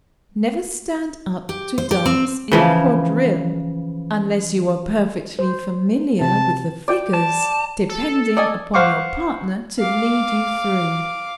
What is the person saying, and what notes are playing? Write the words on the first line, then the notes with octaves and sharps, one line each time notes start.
Never stand up to dance in a quadrille, unless you are perfectly familiar with the figures, depending upon your partner to lead you through.
G4
C5
G4
C4
C#3 E3 F3
C5
C3 C4 A5
D5 G5
A5
A4
D5 D#5 G#5
C5 F5 F#5 C#6 D6
F5 D6